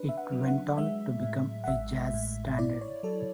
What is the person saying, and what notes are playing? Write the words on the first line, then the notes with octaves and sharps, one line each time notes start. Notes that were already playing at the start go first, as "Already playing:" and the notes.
It went on to become a jazz standard.
Already playing: D4 B4
E5
F#5
F#3
F#5
G#3 E5
A2
F#5
A1 E5
A2
E4 D5
C#5
F#3 A4